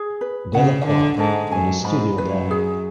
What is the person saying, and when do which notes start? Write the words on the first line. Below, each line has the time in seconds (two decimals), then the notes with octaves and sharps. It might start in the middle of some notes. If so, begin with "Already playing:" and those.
Delacroix had a studio there.
Already playing: G#4
0.21 B4
0.54 C#3 F#5
0.86 D3 A4
1.19 G#2 A4
1.52 F#2 G#5
1.85 G#2 B5
2.18 F#2 B4
2.51 G#4